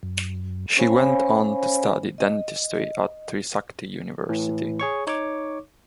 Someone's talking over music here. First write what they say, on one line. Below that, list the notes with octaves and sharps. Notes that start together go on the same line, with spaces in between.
She went on to study dentistry at Trisakti University.
F#2
C#4 C5 C#5 F5 G#5 B5
D#5
A2 E3
G#4 C#5 C#6
D#4 C#5 C#6 D6